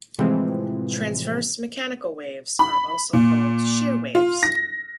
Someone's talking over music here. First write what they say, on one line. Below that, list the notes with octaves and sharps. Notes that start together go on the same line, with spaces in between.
Transverse mechanical waves are also called "shear waves".
A2 C3 E3 F3 G#3 C4
B5
A#2
F4
A#6